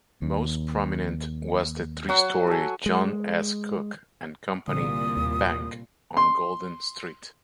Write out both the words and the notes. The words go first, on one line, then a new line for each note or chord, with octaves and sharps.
Most prominent was the three-story John S. Cook and Company Bank on Golden Street.
D#2
F#3 F#4 F#5
A4 G#5
G#3
C2 A#2 D3 D#6
D#2
C6